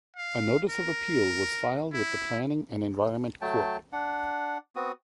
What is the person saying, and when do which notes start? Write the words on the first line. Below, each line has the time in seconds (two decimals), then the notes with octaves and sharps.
A notice of appeal was filed with the Planning and Environment Court.
0.17 F5
0.70 A#4
1.94 E4
3.42 F#3 A3 G5 A5
3.93 D4 F#5
4.76 B3 C4 F#4 D#6